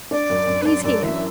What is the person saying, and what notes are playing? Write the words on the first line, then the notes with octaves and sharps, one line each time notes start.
He's here.
D4 D5
F#2
F#2
B4
D4 D5
F#2 D5
E3 E5